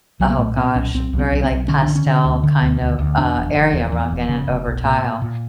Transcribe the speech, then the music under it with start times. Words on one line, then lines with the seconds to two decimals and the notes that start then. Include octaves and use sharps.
oh gosh, very, like, pastel kind of, uh, area rug in it over tile.
0.20 B1 F#3
0.30 A#3
0.39 A#2 A3
0.57 A#2 C4
0.76 B1 C#4
0.94 B1 C4
1.13 B1
1.19 C4
1.32 B1
1.44 C4
1.51 B1
1.68 D3 C#4
1.82 D4
1.88 D3
1.96 C#4
2.06 D3
2.25 D2
2.44 D3
2.62 D2
2.81 D2
2.99 D2
3.17 E2 D4
3.36 F1
3.54 F1
3.73 E2
3.92 E2
4.11 F1
4.29 C#3
4.47 F1
4.66 B1
4.85 A#2
5.04 A#2
5.22 A#2